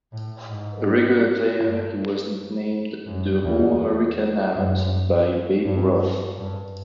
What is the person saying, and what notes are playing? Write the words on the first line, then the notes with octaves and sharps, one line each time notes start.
A regular player, he was nicknamed "The All-American Out" by Babe Ruth.
A2
G#2
G2
F#2
E2
F#2
G2
G2